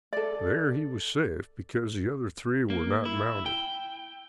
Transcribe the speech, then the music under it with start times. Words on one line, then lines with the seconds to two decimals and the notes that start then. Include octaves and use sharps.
There he was safe, because the other three were not mounted.
0.13 A4 D5
2.70 A#3
3.05 E4
3.46 G5